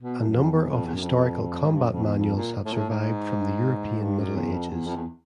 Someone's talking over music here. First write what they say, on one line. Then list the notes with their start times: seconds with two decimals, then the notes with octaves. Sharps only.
A number of historical combat manuals have survived from the European Middle Ages.
0.02 B2
0.19 A#2
0.28 F#2
0.35 F2
0.52 E2
0.69 F2
0.85 E2
0.95 F#2
1.02 F2
1.64 G#2
1.74 G2
1.83 F#2
1.93 F2
2.03 E2
2.19 F2
2.36 A#2
2.65 A2
2.73 A#2
2.78 A2
2.90 G#2
4.02 G2
4.19 F#2
4.36 E2
4.52 F2
4.70 E2
4.86 F2
4.96 E2